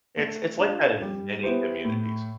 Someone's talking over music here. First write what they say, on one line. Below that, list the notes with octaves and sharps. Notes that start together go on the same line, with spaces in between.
it's it's like that in many communities.
A3
D4 F4
G3
B3 E4 G4 C5
A2